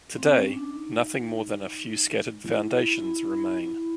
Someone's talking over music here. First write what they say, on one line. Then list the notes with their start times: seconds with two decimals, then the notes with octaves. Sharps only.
Today, nothing more than a few scattered foundations remain.
0.16 C4
0.34 C#4
0.53 D4
0.73 D#4
2.44 E4
3.01 E4
3.60 E4